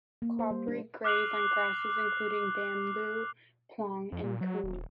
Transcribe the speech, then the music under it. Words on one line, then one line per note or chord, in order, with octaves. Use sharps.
Kouprey graze on grasses, including bamboo, ploong, and koom.
A#3
C5
G3
D4
D6 F6 F#6 C7 F7 F#7
F2
A#2
F#3
D#1